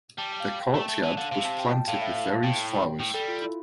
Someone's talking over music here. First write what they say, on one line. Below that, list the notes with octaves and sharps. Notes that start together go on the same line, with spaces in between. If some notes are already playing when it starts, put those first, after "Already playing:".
The courtyard was planted with various flowers.
G3 A5
G5
F5
G5
G5
A3 A5
A3 A5
E3 A5
D3 F5
C3 F5
A5
G5
A5
G5
A2 F5
E5
F5
A5
A2 G5
A2 G5
G3 A4
F4
E4